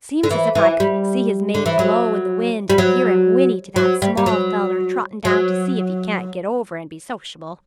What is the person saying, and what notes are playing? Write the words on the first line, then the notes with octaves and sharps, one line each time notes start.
Seems as if I could see his mane blow in the wind, and hear him whinny to that small feller trotting down to see if he can't get over and be sociable.
D3
E3
E3
G3
D3
E3
F#3
G3
F#3
F#3
G3
G3
F#3
F#3